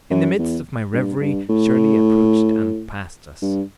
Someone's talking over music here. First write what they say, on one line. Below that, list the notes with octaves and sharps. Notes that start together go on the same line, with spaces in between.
In the midst of my reverie Shirley approached and passed us.
F#2
E2
G2
G2
A2
G2